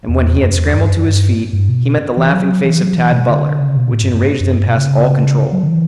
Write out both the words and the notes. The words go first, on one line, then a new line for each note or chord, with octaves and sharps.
And when he had scrambled to his feet, he met the laughing face of Tad Butler, which enraged him past all control.
E2
F#2
E2
G2
F#2
G2
G2
B2
E3
F#3
E3
F#3
E3
B2
D3
C#3
B2
A2
G2
G2
F#2
G2
B2
C#3
F#3
D3
E3